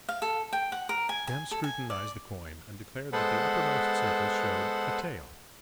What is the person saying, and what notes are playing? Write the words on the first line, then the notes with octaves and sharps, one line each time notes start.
Jem scrutinized the coin, and declared that the uppermost surface showed a tail.
F5
A4
G5
F#5
A#4
G#5
G#5
A4
G#5
D5
G#3 B3 A4 B4 C5 F#5